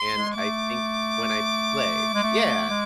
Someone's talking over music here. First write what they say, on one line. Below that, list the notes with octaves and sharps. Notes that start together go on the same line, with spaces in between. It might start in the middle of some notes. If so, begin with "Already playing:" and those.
And I think when I play Yeah.
Already playing: C6
G#3
A3 D6
G#3
A3
G#3